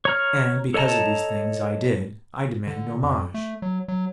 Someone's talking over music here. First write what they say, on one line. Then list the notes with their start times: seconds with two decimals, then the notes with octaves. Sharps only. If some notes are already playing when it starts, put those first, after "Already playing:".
And, because of these things I did, I demanded homage.
0.05 C#5 A#5 F6
0.74 A4 C#5 D#5 A5 A#5
2.67 D3
3.03 F2
3.34 A3
3.62 F#3
3.88 F#3